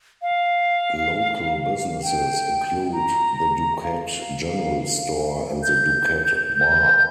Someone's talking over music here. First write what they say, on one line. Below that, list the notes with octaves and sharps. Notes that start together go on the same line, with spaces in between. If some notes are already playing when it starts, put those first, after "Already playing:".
Local businesses include the Duquette General Store and the Duquette Bar.
F5
G5
A#5
F5
G6
G6